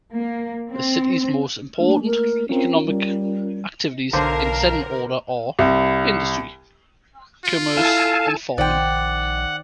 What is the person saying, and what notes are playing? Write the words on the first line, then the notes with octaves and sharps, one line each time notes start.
The city's most important economic activities, in descending order, are industry, commerce and farming.
A#3
C4
A3 A#3 D4
A#4
C4 C#4 F4 A#4
G3
B1 D3 A#4 C5 F5 A5 A#5
C2
F4
E4 A4 F5 G#5 A5
A#1 D#3 D#4 C5 D5 F#5 G5